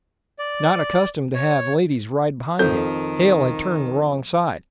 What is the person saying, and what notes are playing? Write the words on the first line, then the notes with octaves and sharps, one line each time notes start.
Not accustomed to have ladies ride behind him, Hale had turned the wrong side.
D5
C#5
F2 D#3 A4